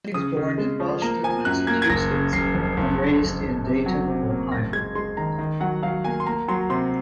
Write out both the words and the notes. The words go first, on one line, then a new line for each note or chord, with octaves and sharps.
Janney was born in Boston, Massachusetts and raised in Dayton, Ohio.
C#3 D#6
C#3
G#3
F3
A#3 A#5
F3 G#5
F#2 F#6
A#3 G#6
G#6
F#1 A#6
C#3
F#1 C7
F2
F#1
F#1
F#1
F#1
C3
F#3
C3
A#3
F#1 A#6
G#3 G#6
G#3 C6
D#3 A#5
D#3
F#3 F#5
F#3 F5
A#3 G#5
C6
A#3 A#5
F#3 C6
C3 C6